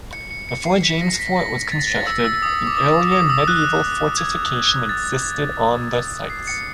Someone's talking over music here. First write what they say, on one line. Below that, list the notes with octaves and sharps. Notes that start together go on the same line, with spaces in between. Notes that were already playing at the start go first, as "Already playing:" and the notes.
Before James fort was constructed, an earlier medieval fortification existed on the site.
C#7
C#7
C#7
C7
B6
A#6
B6
A#6
A6
A#6
A6
E6
E6
D#6
D6
D#6
D6
D#6
E6
F#6
G#6
A6
C7
C#7